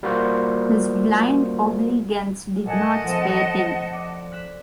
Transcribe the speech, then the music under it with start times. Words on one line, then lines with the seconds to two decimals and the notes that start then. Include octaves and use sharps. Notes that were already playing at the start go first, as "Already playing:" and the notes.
His blind obedience did not spare him.
0.03 G3 A#3 F4 F#4 C5
2.65 A#2 A3 D#5 F#5 G#5 A5
3.04 F3 A3 C4
3.93 D5
4.32 F#6 B6 E7